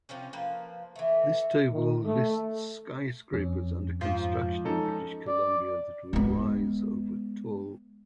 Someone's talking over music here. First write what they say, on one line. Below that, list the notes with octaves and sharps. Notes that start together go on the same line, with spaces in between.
This table lists skyscrapers under construction in British Columbia that will rise over tall.
C3 F3 C4 C#4
F3 A#3 B4
E3 A3
D#3
A3
F2 C#4
G#2 F3 F4
C#4 D#4 A4
D5
G#3 B3